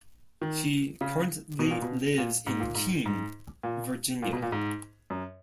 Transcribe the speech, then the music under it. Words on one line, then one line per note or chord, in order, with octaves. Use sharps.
She currently lives in Keene, Virginia.
D#3
C#3
B2
A#2
B2
A#2
G#2
A#2
G#2
G#2
A#2
A#2
B2
A#2
G#2
F#2